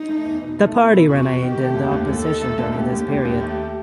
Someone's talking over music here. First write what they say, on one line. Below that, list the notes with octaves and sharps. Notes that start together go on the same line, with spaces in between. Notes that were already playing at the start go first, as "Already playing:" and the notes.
The party remained in opposition during this period.
Already playing: D#4
A3
E2
B2
A3
B2 E4
B2
E2 F#4
B2
D#3 G4
A3
D#2
D#2
D#2 A4
D#3
A3
D#2
D#2 G4
D#2
D#2
D#2
A3